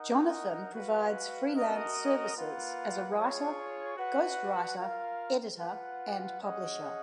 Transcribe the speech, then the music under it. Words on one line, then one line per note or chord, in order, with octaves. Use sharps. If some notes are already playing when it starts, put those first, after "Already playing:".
Jonathan provides freelance services as a writer, ghost-writer, editor and publisher.
Already playing: D#4 A#4 D#5 F#5
F#4 B4 F5
F#4 A#4 D#5
A#3 F4 B4 F#5
F4 G#4 C#5
F#4 B4 F#5
F4 A#4 F5
F4 B4 F#5
C#4 G#4 D#5 F#5